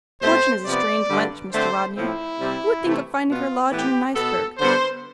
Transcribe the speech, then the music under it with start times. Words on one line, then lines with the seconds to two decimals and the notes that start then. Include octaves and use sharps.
Fortune is a strange wench, Mr. Rodney. Who would think of finding her lodged on an iceberg?
0.21 B2 A3 C4 C5
0.65 C3 F3 B3 D5
1.09 G2 D3 G3
1.53 D3 A3 C4 C5
1.96 A2 F3 C4 E4
2.40 C3 G3 C4
2.84 C3 E3 A3
3.27 B2 B3 F4
3.71 A2 E3 B3 G4
4.14 B2 B3 A4
4.58 D3 G3 B3 C5